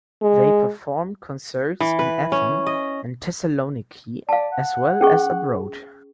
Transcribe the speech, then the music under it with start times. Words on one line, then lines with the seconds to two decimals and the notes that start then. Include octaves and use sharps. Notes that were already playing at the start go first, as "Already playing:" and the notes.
They performed concerts in Athens and Thessaloniki as well as abroad.
0.22 G#3
1.80 E3
1.99 B4
2.32 C#4
2.67 D#5
4.29 D5 F5 A5
4.52 F#5
5.01 C#4 G#4 C#6